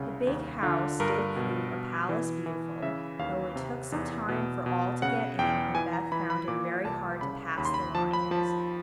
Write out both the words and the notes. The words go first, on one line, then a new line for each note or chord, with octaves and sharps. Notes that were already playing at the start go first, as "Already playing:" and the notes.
The big house did prove a Palace Beautiful, though it took some time for all to get in, and Beth found it very hard to pass the lions.
Already playing: C2 C#3
D#2
D3 F4
G2 A#4
B2
B2
E3
E3
C#3 E5
D#2 F5
C3
E2
B2
B2
C#3 F#5
E2 G5
E3 G#5
A#5
E3 B5
B5
A#2 D6
C2 A5
C#3 B5
D#2 B5
C6
B5
F3 A5
B5
F3 A5